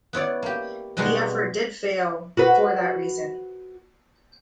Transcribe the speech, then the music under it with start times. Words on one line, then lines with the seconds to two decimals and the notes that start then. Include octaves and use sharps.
The effort did fail, for that reason.
0.13 B3 E4 C#5 D5
0.42 A#3 G4
0.97 B2 G3 G#3 D#4 F#4
2.37 F#4 B4